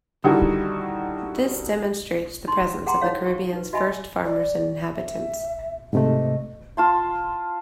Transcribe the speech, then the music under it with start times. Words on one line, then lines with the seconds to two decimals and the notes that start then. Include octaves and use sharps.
This demonstrates the presence of the Caribbean's first farmers and inhabitants.
0.24 D3 D#3 G3 D#4 E4 F#4
2.47 D#4 C6 C#6
2.86 G#4 F#5 G5 A#5 C6
3.01 D#4 E4 C#5 F5
3.26 C#6
3.53 D#4 B4
3.73 F#4 D#5 E5 G5 G#5 B5
4.25 D5
4.96 E5
5.93 G#2 C3 A3 D#5
6.77 F4 A5 C6